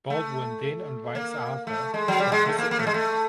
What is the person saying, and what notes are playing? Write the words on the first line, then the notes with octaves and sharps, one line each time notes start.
Baldwin then invites Arthur to visit him.
A3
A#3
A3
G#3
F#3
G3
G#3
A3
A#3
A#3
A3
G#3
A3